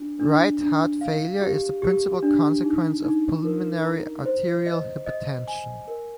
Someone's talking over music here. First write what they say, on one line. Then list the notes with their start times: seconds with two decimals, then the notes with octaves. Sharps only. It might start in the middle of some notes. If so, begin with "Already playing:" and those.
Right heart failure is the principal consequence of pulmonary arterial hypertension.
Already playing: D4
0.20 D4
0.61 D4
1.01 F5
1.41 G4
1.82 G4
2.23 D4
2.63 D#4
3.04 D#4
3.44 A#4
3.85 A#5
4.26 C5
4.66 D#5
5.06 D#5
5.48 G#5
5.88 A#4